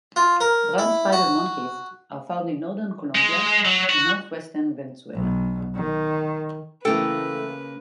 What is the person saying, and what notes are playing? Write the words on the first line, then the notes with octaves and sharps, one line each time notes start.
Brown spider monkeys are found in northern Colombia and northwestern Venezuela.
F4
A#4
E4
F#4
G#3
F#3
F#4
B1
D#3
C#3 E3 A3 A#3 A4 B4 G5